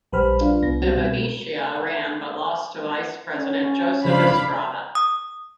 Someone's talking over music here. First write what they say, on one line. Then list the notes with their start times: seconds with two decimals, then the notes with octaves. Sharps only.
De Venecia ran but lost to Vice President Joseph Estrada.
0.12 A#1 G3 B4 C5 B5 F6
0.41 D4 F4
0.62 C2 B3 A#6
0.82 G3 C4 F#4
0.95 B2
3.35 C#4
4.05 C#3 F3 D4 C5 F5 B5
4.95 D#6